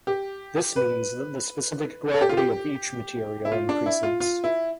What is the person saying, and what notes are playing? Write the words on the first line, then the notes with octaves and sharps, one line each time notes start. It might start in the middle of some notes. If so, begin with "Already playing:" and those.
This means that the specific gravity of each material increases.
G4
B4
A4
G4
F4
G4
E4
F4
D4
E4
F4
F4
E4